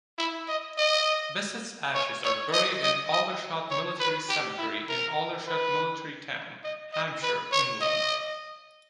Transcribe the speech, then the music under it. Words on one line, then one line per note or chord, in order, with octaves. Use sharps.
Bissett's ashes are buried in Aldershot Military Cemetery in Aldershot Military Town, Hampshire, England.
E4
D#5
D#5
C#5
C#5
D#5
D#5
D#5
C#5
B4
G4
E4
A#4
B4
D#5
D#5
B4
C#5
D#5